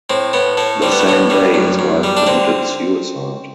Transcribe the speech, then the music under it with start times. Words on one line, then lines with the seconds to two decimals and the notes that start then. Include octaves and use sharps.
The same day his wife committed suicide.
0.10 A2 C4
0.33 A2 B3
0.57 A2 A3
0.82 G3 C4
0.92 B3
0.99 A3
1.07 A2 B3
1.30 G3
1.54 F#2
1.79 F#2
2.03 G3
2.17 D4
2.27 D3 C4